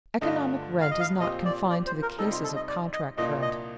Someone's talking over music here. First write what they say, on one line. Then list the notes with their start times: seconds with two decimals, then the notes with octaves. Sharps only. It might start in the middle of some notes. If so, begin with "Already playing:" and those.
Economic rent is not confined to the cases of contract rent.
0.21 G2 D3 A3 D4 F4 D#5
0.81 F5
0.91 D#5
1.00 F5
1.20 A#2 F3 C4 G4 D#5
1.45 D5
1.70 D5
1.87 C5
2.02 A#4
2.19 C3 G3 C4 D#4 A4
2.31 F4
2.44 A4
2.56 D#5
2.68 D5
2.93 D#5
3.17 C2 A#2 F3 A#3 D4 D#5
3.42 D#5